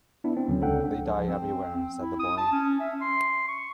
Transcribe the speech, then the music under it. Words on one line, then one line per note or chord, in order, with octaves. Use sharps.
"They die everywhere," said the boy.
B3 D4 E4
C4
D#2 D3 F#3 C#4
C#2 D4 A4 F#5 G5
F3
C4
C4
E4
D#6
A5
C#4
E5
C6
C#6